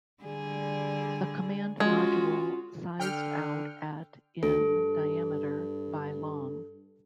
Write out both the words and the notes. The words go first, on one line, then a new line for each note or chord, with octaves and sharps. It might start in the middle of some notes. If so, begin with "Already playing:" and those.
The Command Module sized out at in diameter, by long.
D3 G3 G#4
G#3 C#4 F4 F#4
D3 G5 F6
D2 A4
G2